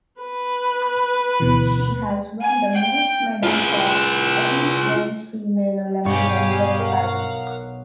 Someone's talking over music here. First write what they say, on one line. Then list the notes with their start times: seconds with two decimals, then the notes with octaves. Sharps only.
She has won the most medals of any French female Olympian, with five.
0.21 B4
1.40 D2 B2 E3
2.41 G#5
2.74 G5
3.43 F4 G#4
6.05 B1 G2 G3 G4 G#4 F5 C#6
6.79 A#4 F5 F#5